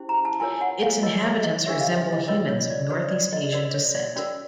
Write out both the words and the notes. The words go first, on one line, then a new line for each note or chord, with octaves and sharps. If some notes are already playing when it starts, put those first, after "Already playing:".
Its inhabitants resemble humans of northeast Asian descent.
Already playing: C#4 E4 G4 C5
A#5
A5
F4 A#4 C#5 G#5
F#5
F5
F4 A#4 C#5 D#5
E5
D#5
D4 G4 A#4 C#5 E5
F5
E5
D#5
C#4 F4 A#4 C#5 D#5
C#5
D5
F#4 B4 C#5
D5
D#5
F#4 A#4 C#5 D5
C#5
D5
C#4 F#4 A#4 D5